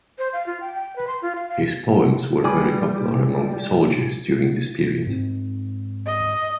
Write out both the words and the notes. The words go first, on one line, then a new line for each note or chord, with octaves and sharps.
His poems were very popular among the soldiers during this period.
C5
F5
F4
G5
G5
B4
C6
F4
F5
F5
G3 G#4 B4 G#5 D6
G#2 C4
D#5